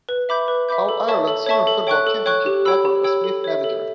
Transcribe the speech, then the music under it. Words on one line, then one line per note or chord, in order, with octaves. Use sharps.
All-Ireland Senior Football Championship record as Meath manager.
B4
E5 B5 D6 G6
B4
E5 B5 D6 G6
A4
C#5 E5 A5 C#6
A4
C#5 E5 A5 C#6
A4
C#5 G5 C#6 F#6
A4
C#5 G5 C#6 F#6
G4
C#5 G5 B5 E6
G4
C#5 G5 B5 E6
A4
C#5 E5
A4